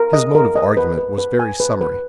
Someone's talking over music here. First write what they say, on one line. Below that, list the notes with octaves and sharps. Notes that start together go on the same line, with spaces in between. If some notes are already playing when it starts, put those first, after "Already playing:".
His mode of argument was very summary.
Already playing: A#4
D#5
A#4
D#5
B4
B4
B4
G#5
B4
B4